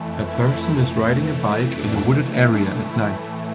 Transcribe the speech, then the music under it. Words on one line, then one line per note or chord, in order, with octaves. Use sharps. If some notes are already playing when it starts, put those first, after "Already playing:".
A person is riding a bike in a wooded area at night.
Already playing: F2 E3 A3
E4
D4
A2 E3 A3 D4
E4